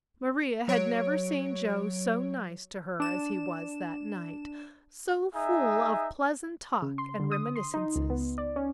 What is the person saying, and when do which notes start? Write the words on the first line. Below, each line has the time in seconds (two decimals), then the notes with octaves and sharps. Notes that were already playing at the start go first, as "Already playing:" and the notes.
Maria had never seen Joe so nice to her as he was that night, so full of pleasant talk and reminiscences.
0.68 F#3 C#5 D7
3.00 D4 E7
5.35 D#4 G#4 E5
6.82 C#3
6.98 C6
7.20 D3
7.32 D#6
7.56 C6
7.74 D#4
7.96 C#2
8.10 B3
8.38 D5
8.56 C#4